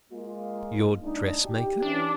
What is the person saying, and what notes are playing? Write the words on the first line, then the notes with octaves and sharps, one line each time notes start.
"Your dressmaker?"
G#3 A#3 F4
G#3 D4 D#4
G4
C#3 E3 C#4 D4